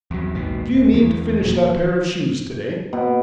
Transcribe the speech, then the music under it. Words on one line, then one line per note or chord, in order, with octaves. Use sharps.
"Do you mean to finish that pair of shoes to-day?"
E2 F#3
A#1 D#2 G#2 B2
D1
E2 E3
D#1 A#2 F#3
B2